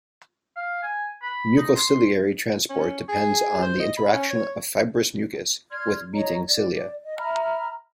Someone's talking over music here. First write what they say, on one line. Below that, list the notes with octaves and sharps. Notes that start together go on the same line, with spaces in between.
Mucociliary transport depends on the interaction of fibrous mucus with beating cilia.
F5
G#5
B5
D#4
C6
C#4
G#4
C5
D#5
B5
C#4
C#5
D5 C6 F6 G#6
C#5 D#5 A#5
D5
D#5
E5 A#5 B5 F6